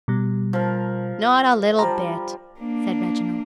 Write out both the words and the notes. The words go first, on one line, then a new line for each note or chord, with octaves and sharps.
'Not a little bit,' said Reginald.
B2 G3
F3 A#4
F3 G3 A#5
A#3 D4